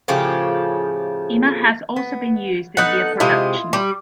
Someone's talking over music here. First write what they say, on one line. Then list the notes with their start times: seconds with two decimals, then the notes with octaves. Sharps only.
Emmer has also been used in beer production.
0.08 A2 C#3 F3 G4
1.96 B3
2.77 B3 D#4 A4 F#5
3.20 C3 G#3 E4 F4 D#5
3.73 G3